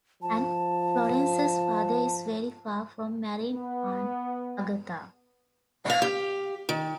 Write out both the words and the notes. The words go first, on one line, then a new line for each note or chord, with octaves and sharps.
And Florence's father is very far from marrying Aunt Agatha.
F3 A5
B3
F5
G4
D#3